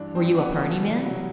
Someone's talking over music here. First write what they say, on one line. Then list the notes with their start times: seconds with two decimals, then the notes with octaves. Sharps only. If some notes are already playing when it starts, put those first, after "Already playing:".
Were you a party man?
Already playing: G2 E3 D4
0.15 C4
0.22 G2
0.37 B3
0.51 E3 B3
0.59 A3
0.81 C2 G3
0.95 G3
1.03 F#3
1.11 B2